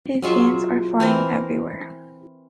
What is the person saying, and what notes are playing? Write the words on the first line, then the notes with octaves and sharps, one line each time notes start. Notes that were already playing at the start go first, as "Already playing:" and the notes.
His hands are flying everywhere.
F#3 G#3 F4 E5
E3 C4 A#4